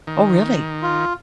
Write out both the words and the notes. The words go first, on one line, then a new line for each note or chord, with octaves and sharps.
Oh, really?
D#3
F4